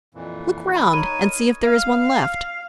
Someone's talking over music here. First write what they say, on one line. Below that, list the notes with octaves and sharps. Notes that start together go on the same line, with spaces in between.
Look round and see if there is one left.
F2 A#2 E3
D2 B5 F#6
D#4 A#4 C#5 D#7
F5